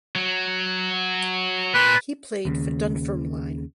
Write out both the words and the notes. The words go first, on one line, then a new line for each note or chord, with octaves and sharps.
He played for Dunfermline.
F#3
A#2 B4
D#2 C#3